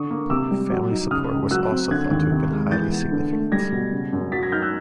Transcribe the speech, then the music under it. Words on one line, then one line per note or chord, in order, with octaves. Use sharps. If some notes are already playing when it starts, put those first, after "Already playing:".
Family support was also thought to have been highly significant.
Already playing: D3 C#6 D#6
A#3
C3 D6 E6
G3
F#3
D#4
C#3 D#6 F6
C#2
F#3 E6 F#6
C4
D3 F#6 G#6
D#2
C3
G#3
E3 G6 A6
B3
D3
A3
G3 G#6 A#6
B2
C#3
F#2
F#3 A6 B6
G#6 A#6
D#4 F6 G6
E6 F#6